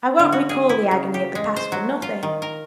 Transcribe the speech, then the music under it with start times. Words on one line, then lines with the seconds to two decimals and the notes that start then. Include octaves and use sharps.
I won't recall the agony of the past for nothing.
0.19 D3
0.32 F#4
0.49 G#4
0.69 E4
0.91 C#3
1.14 G4
1.35 G#3
1.56 C5
1.72 F#3
2.02 F4
2.23 D#3
2.42 A#4